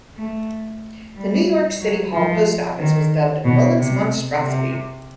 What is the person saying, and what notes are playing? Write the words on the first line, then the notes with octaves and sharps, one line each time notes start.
The New York City Hall Post Office was dubbed Mullett's monstrosity.
A3
G3
F#3
F3
D#3
B2
C3
C3